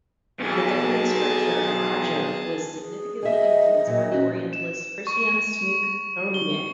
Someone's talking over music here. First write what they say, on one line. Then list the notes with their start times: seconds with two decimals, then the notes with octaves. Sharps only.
The government structure of Atjeh was significantly influenced by the Orientalist Christiaan Snouck Hurgronje.
0.40 B1 E2 G#4 A5
2.77 G#4
3.23 G#4 D#5 E5
3.87 A#2 F#3
4.11 C#4 F#4
4.53 E7
5.07 C#6
6.34 G7